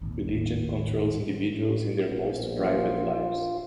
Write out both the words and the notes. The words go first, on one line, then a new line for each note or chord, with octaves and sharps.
Religion controls individuals in their most private lives.
D#1 G#1 D#2
A#1 B3
F4